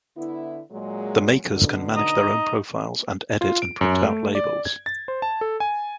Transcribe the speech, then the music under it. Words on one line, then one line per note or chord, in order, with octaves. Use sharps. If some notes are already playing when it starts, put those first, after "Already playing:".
The Makers can manage their own profiles and edit and print out labels.
D3 B3 E4
A#2 F#3 G#3
D2 B2 D3
D#4
F4
D7
F#2
A3
D5
G#6
A6
C5
A5
A4
G#5